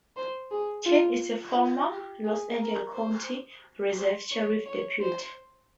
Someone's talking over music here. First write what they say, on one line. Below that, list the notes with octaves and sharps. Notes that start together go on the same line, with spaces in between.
Chen is a former Los Angeles County Reserve Sheriff's Deputy.
C5
G#4
F4
F4
G4
G#4
A#4
C5
C5
C#5
C#5
C5